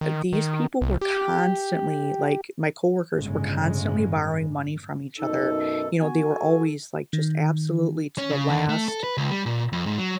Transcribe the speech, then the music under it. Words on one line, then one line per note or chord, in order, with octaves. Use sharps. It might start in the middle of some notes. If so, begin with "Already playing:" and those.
uh, these people were constantly like, my coworkers were constantly borrowing money from each other. You know, they were always, like, just absolutely to the last,
D#3
D#3
C2
G4
G1 A2 C#3 G#3
F#2 B2 D#4 A4
B3 F#4 G#5
A4
D#3
C#4
C#3
D#2
A3
A4
B4
C#2
G3
A#2
F2
G#2
F#3